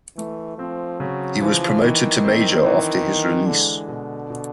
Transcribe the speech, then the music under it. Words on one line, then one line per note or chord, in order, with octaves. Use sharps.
He was promoted to major after his release.
E3 A3
F3 C4
C#3 F#3
E3 F3
D#3 E3
C4
E3
E3
D3 G#3
B2
B2